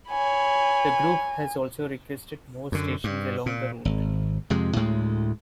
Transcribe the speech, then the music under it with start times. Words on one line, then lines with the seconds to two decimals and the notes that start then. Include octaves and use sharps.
The group has also requested more stations along the route.
0.10 C#5 G#5 B5
2.72 F#2 D3
3.04 G2
3.46 A#2
3.85 G#1
4.50 F2 C3 G#3
4.76 D2 A2 G#3